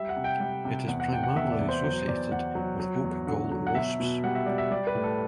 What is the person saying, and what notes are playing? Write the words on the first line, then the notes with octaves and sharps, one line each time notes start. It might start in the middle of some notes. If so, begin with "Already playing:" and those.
It is primarily associated with oak gall wasps.
Already playing: G3 E5
F#5
C3
G5
G3
C3
E2 F#5
F#5
C3 G5
F#5
E2 E5
D5
E2
C5
F#3 C5
E2 D5
E2 F#5
F#3
F#3
E2
D3 F#5
F#3
F#5
B2 E5
B2
G3 F#5
E5
G3 D5
E5
G3 D5
B4
A2
A4